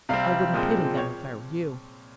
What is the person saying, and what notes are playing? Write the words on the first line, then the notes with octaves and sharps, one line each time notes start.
I wouldn't pity them if I were you.
C3 G3 C4 F5
A#2 F3 G#3 C4
C#5